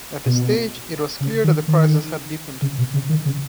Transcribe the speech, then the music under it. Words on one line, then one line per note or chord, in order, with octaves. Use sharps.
At this stage, it was clear that the crisis had deepened.
B2
C#3
D#3
D#3
C#3
B2
C#3
D#3
C#3